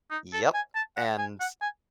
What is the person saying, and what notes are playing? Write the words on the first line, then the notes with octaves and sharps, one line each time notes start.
Yep, and
D#4
A4
G#5
A5
F#5
G#5
F#5
G#5